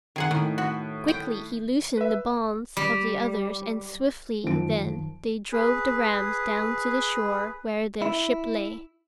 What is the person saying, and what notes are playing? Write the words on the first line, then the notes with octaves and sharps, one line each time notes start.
Quickly he loosened the bonds of the others, and swiftly then they drove the rams down to the shore where their ship lay.
D#3 G#4 F#5
A2 D#3
F#4
G5
B4 E5
G3
F#2 D#3 F3 D7
G#4 B4
E4